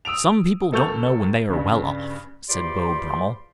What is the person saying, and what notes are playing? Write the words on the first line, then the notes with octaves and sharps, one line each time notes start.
"Some people don't know when they are well off," said Beau Brummel.
D#6 E6 D7 F7
C#2 A#3 A4 C#6 G6 F7
G2 C#3
E2 F3 G4 D5 B5 C6